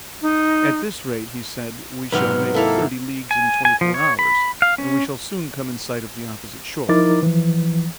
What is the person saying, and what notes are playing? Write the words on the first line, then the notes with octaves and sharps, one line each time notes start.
At this rate, he said, we shall make thirty leagues in twenty-four hours, and we shall soon come in sight of the opposite shore.
D#4
G#2 C3 F#3 B4 F6
A#3 E4 A4 F5
G#5
G#5
F3
C#5
B5
F5
C#4
F3 D#4 E4 A#4 D6 A6
E3 F3